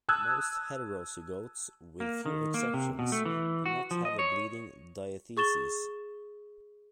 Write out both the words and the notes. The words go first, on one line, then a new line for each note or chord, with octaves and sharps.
Most heterozygotes, with few exceptions, do not have a bleeding diathesis.
A5 D#6 E6 F#6 G#6
A#3
D#3
A#3
C3
B2
A3
E3
F#4
F3
D#5
C#5
G#4 C#6 A6 E7 G7